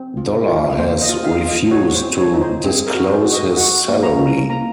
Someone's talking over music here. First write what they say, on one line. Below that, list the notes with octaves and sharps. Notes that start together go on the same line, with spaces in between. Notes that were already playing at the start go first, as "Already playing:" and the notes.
Dollar has refused to disclose his salary.
Already playing: C4
F4
F4
A#3 C5
D#5
F4
F5
F4
D#5
F#4 C#5
C5
C4
C#5
D#4
C5
C4 G#4
A#4
F#4
C5
F#4
D#5
F#4 F#5
A#3
A#5
C#4
A#5
A#3 A#5